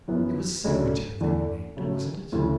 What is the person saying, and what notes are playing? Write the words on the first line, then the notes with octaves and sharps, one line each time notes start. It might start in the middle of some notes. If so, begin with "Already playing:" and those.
'It was Secretary that you named; wasn't it?'
F#2 E3 B3
D2 C#3 F#3 A3 D4
E2 D3 A3 D4
C#3 F#3 A3
D2 C#3 E3